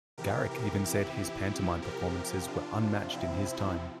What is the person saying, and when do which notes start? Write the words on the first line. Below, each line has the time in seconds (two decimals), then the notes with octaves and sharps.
Garrick even said his pantomime performances were unmatched in his time.
0.18 C3 E3 G4 A#4
0.51 G4 A#4
0.84 E4 G4
1.49 C3 F3
1.82 G4 A#4
2.47 D4 F4
2.81 C3 F3
3.13 C4 E4